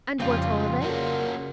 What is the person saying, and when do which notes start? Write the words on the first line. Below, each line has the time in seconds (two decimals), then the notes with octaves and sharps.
"And what are they?"
0.20 F2 C#3 G3 C4 F4 D5
0.82 C#3 A#3 C#4 F#4 A#4